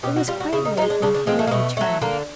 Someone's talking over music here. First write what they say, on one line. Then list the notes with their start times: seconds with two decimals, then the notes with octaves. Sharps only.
It was quite late when Henry returned.
0.03 B2 G4
0.16 F#4
0.28 G3 F4
0.40 F#4
0.52 C#3 E4
0.65 D#4
0.77 E3 D#4
0.82 G#3
0.90 D4
1.02 C#3 D4
1.14 D4
1.27 F3 G#3 C4
1.39 A3
1.47 A#3
1.51 B2 A3
1.77 F#3 A3
2.02 D3 A#3